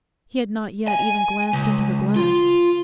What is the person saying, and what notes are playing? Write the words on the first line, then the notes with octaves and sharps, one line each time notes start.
He had not yet even glanced into the glass.
G#5
C#2
F4